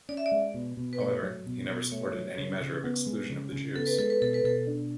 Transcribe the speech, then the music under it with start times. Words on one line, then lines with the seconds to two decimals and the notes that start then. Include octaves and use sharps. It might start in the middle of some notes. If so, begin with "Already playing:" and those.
However, he never supported any measure of exclusion of the Jews.
0.09 C#4 D5
0.17 E5
0.26 D5
0.32 G#3
0.54 B2
0.77 B2
0.93 B4
1.00 A3 C#5
1.23 F#3
1.46 B2
1.69 B2
1.91 A3 C#5
2.14 F#3
2.38 C#3
2.61 C#3
2.84 B3
3.07 G#3
3.30 C#3
3.53 C#3
3.75 B3 A4
3.87 B4
3.99 G#3 A4
4.10 B4
4.22 B2 A4
4.34 B4
4.44 B2 A4
4.67 D4